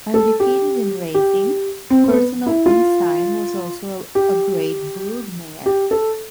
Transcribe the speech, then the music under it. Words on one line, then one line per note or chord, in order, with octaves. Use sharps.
Undefeated in racing, Personal Ensign was also a great broodmare.
A4
G4
G4
C4
C4
B3
E4
F4
G4
G4
A4